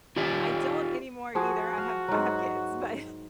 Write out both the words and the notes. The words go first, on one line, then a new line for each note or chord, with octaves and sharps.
I don't anymore either. I have I have kids, but
F4 G4 D5 E5
F3 F#4 G#4
F5
G#2 F#3